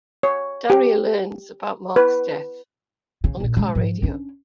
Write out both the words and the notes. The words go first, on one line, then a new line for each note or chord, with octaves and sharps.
Daria learns about Mark's death on the car radio.
C#5
G4
B4
C#3
A#1 D3
C#3 G#3
G#2 F3
C#4 D4